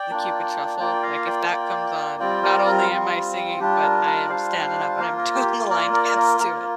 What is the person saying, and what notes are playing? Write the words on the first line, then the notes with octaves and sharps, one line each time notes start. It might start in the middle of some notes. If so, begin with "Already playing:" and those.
the "Cupid Shuffle," like, if that comes on, not only am I singing, but I am standing up and I'm doing the line dance to it.
Already playing: D5 G5
A#3 D4 F4
A#3 F4 D5 G5
F5 A#5
D5 G5
A#3 F4
G3 C4 F4 D5 G5
A#4 D5
A#4
G3 C4 F4
G3 D4 F4 G4
A#4
A#4 D5
G3 D4 F4 C5 F5
A#3 F4 A#4
A#4
G4
A#3 F4 A#4 D5
A#4 D5
A#4
A#3 F4 A#4